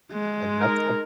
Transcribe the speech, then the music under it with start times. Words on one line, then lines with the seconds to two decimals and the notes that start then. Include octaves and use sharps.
and that's some
0.13 G#3
0.61 D#4 A#4